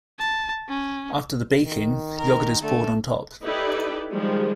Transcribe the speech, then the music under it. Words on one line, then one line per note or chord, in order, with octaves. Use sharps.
After the baking yogurt is poured on top.
A5
C#4
D#3
A#4
D3 A3
D#4 E4 G4 A4 B4 D5
D#3 F3 G3 G#3